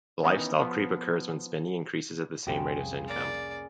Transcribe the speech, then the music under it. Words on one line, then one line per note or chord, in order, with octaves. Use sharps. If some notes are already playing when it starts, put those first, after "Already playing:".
Lifestyle creep occurs when spending increases at the same rate as income.
D#3 E3 B3 C#4 D#4
F3 B3
C2 F2 C#3 G4 C6
A#3 D5